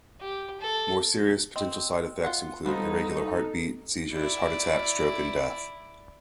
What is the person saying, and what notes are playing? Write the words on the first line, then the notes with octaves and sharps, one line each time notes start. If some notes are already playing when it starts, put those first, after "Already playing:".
More serious potential side effects include irregular heartbeat, seizures, heart attack, stroke, and death.
G4
A4
C4 D#5 G5
F4 F#5
F3 G3 B3 D#4 A4
E4 D5